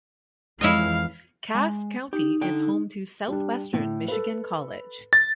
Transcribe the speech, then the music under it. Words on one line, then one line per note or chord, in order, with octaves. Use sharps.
Cass County is home to Southwestern Michigan College.
F2 E3 G#3 E4 C#5 D#5 F5
G#3
D#4 G4
D3 G5
G3 D4
A2
A4 B4
A6